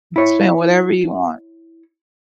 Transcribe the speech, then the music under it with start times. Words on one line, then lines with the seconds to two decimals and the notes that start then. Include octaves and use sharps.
Spend whatever you want.
0.16 E4 C#5